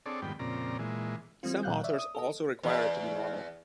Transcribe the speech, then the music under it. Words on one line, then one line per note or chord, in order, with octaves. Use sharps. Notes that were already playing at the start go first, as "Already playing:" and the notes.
Some authors also require it to be normal.
C4 D4 G#4 A4 C#5 D5
F2 G#2 D#3 G3 B3 G5
F2 A#2 C#3 C4 D5 A#5
A#2 E3 G#3
E3 G3 A3 C4 F4
A#2 D3 F#3 F5 F#6 G6
C#5 D5 E5
D#6
A4 D#5
E2